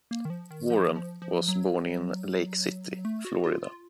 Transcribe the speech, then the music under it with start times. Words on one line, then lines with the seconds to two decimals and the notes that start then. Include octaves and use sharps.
Warren was born in Lake City, Florida.
0.11 A#3
0.25 D#3
0.30 F3
0.51 D#3
0.70 F3
0.96 F3
1.22 F3
1.48 F#3
3.05 A3
3.25 F#4
3.44 F4
3.63 F4